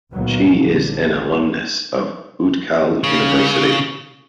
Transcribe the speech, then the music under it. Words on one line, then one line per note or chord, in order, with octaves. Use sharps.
She is an alumnus of Utkal University.
C#2 A#2 D#3 F#3 A#3 B3
A#1 D3
C#3